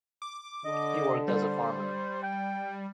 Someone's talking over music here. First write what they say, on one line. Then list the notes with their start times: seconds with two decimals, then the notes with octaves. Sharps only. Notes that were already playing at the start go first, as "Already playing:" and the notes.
He worked as a farmer.
0.22 D6
0.65 D3 D#5
1.28 G3 C5
2.23 G5